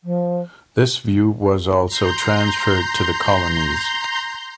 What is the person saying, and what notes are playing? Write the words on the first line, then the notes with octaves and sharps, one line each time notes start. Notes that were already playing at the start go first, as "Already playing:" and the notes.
This view was also transferred to the colonies.
F3
A#5 C6 G6